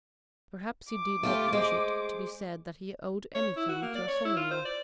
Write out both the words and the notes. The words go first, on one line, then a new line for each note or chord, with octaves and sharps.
Perhaps he did not wish it to be said that he owed anything to a son-in-law.
D6
A3 F4 G4
G#3 C5
C#5
E4
F#4
A#3
D5
C#5
E4
F4
C5
D5